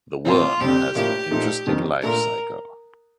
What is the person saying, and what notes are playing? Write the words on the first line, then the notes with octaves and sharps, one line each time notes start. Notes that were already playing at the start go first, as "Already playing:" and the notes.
The worm has an interesting lifecycle.
A2 F3 C4 F4
F2 D3 G3 C4 G4
A2 F3 A#3 D4 G4
A#2 F3 A3 D#4
F2 D#3 G3 D4
A#2 A3 D4 A#4